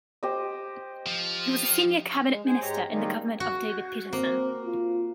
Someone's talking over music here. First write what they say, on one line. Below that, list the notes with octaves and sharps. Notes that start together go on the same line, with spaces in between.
He was a senior cabinet minister in the government of David Peterson.
G4 C5 D#5
F3
G#3
G#4 C5
G#2 G#3 G4 C#5 A#5
D#3 G3 G#3 A#3 D#4
F#4
A#3 C4
F4